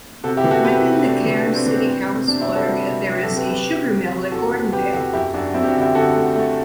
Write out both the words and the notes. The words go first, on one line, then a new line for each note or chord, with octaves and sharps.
Within the Cairns City Council area there is a sugar mill at Gordonvale.
C3 F#4 A4
E4 G4
E3
F#4 A4
C4 G4 B4
C3
A3 D4
E3
A3 D4
C4
E3
C4
C4
C3
C3 D4
C4 E4
G3
F#4 A4
G3
C3
G3 G4 B4
F#4 A4
C3
G4 B4
C3 G4 B4
F#3
C3
F#3
E2 F#4 A4
E2
C3 G4 B4
E2 F#4 A4
F#2 E4 G4
F#2 D4 F#4
F#2 C4 E4
G4
D4 F#4
D3
E4 G4
D3 F#4 A4
A3
A3